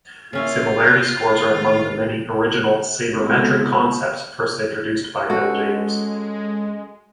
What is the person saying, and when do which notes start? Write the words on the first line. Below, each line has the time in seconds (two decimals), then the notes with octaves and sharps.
Similarity scores are among the many original sabermetric concepts first introduced by Bill James.
0.33 C#3 A#3 C#4 E4 F4
1.43 D#2
3.13 G#3 B3 C4 E4 F#4 A4
5.30 G#3 C#4 F#4 A4